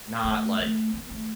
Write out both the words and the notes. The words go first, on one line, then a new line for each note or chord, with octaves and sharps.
not, like,
A3
A3
A#3
A3